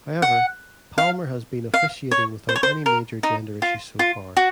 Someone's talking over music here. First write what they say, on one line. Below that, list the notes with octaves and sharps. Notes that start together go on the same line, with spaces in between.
However, Palmer has been officiating without any major gender issues so far.
F#5
F5
F5
C#5
C5
C#5
C5
A#4
D#4
F4
F4
F#4